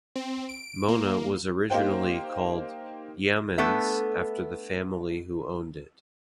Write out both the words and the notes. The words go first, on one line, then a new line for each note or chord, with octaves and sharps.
Mona was originally called Yeamans after the family who owned it.
C4
D7
A#3
A#3 D#4 G4 C5 G5
A3 B3 D4 A4 E5